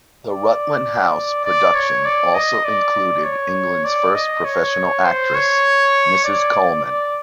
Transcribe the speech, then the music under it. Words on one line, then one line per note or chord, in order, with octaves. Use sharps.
The Rutland House production also included England's first professional actress, Mrs. Coleman.
D5
D5
C#5
D5
D#5
D5
C#5
D5
D#5
C#5
C5
C#5
D5
D5